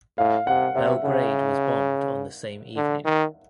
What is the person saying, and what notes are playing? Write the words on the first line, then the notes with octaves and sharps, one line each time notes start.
Belgrade was bombed on the same evening.
A2 F5
C3 F#5
C3 E5
C#3 F#5
D3
D#3